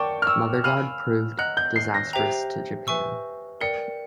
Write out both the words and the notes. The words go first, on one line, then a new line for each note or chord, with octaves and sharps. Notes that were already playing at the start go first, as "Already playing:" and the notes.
Mothergod proved disastrous to Japan.
Already playing: A#4 D5 F#5 G5 A5 C#6 D6
F6
E6
F5 G#5 B5 F6
D#5 F#5 A#5 F#6
G6
C7
A#6
G4 C5 E5 G5 A#5
B4 E5 G#5 C#6 E6
A#4 D5 G5 C#7